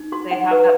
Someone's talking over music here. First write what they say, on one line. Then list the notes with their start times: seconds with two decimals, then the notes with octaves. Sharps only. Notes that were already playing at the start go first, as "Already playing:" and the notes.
they have that
Already playing: D#4
0.12 F#4 C6
0.31 D#4 F#5
0.51 B4